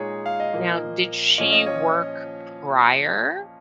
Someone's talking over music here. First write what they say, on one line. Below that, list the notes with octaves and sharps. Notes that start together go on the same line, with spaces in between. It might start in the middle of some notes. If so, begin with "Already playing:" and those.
Now did she work prior
Already playing: A#2 G#3 D#4 G#4 C#5
F5
D#5
A#2 F3 A#3
A#2 F3 C#4 D#5
D#5
C#5